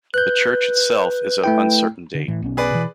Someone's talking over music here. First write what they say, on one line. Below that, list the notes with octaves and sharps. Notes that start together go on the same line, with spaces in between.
The church itself is of uncertain date.
B4 F#6 G6
A3 E4 G5
D3
A2 E3
B1 B3 C#4
G#4 B4 D5
B2 E3